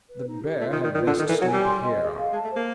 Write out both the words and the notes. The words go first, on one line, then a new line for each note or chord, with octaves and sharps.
'The bear had best sleep here.'
B4
D#4
G4
A3 F4
D#3
D5
D#3
D#3 F4
D3
A4
D#3
E3 A#4
F#3
G#5
G3
C6
D#5
G#4
F5
G#3 A5
A3
C5
A#3